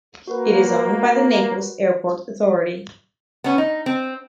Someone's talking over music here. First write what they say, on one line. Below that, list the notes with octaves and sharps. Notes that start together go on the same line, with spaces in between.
It is owned by the Naples Airport Authority.
A#3 F#4 A#4 B4
B3 C#4
D#4
C4